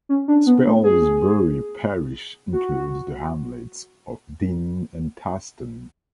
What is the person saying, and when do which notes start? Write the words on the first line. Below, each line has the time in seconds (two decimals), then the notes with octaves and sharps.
Spelsbury parish includes the hamlets of Dean and Taston.
0.09 C#4
0.28 D4
0.46 B3
0.66 A3
0.84 G#4
2.53 F#4